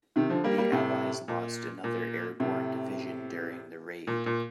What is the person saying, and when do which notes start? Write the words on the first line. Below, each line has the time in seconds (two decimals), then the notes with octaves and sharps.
The allies lost another airborne division during the raid.
0.16 C3 D#3
0.30 D3 F3
0.44 G3 A#3
0.58 G3 A#3
0.72 A2 C3
1.28 A#2
1.84 A#2
2.40 A2 C3
4.07 A#2
4.26 A#2